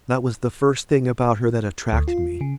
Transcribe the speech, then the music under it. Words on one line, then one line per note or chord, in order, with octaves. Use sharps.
That was the first thing about her that attracted me.
D2
F4
C#3